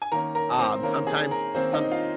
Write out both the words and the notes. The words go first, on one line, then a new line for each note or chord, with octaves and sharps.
um, sometimes some
G#5
D#3 A#3 C#4 A#4 A#5
A#4 A#5
C4 C5
D#3 A#3 C#4 A#4
G#4
A#4
D#3 A#3 C4 C#4 C5
D#4 D#5
F4 F5